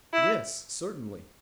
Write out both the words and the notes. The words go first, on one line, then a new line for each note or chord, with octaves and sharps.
Yes, certainly.
E4